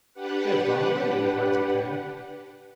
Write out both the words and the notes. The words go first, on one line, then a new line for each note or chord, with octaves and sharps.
"They have gone away," replied Zu-tag.
D4 G4 B4 F#5